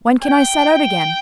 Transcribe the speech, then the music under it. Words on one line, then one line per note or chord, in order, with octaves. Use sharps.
"When can I set out again?"
G5
G5